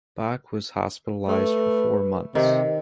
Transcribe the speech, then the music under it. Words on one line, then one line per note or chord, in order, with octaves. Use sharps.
Bach was hospitalized for four months.
A3 B4
C3 D#3